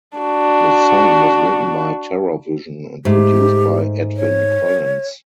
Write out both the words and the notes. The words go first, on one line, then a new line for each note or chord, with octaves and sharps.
The song was written by Terrorvision and produced by Edwyn Collins.
D4 F#4
G#2 A3 G4
C#5